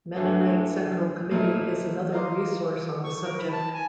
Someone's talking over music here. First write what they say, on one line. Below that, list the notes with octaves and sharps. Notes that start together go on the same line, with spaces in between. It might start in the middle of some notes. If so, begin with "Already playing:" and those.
Mennonite Central Committee is another resource on the subject.
G2 E3 A3
A#2 A3 D#4 E4
D#5 F5 A#5 C6 D6
C#6
A#4
B5
A5
G#5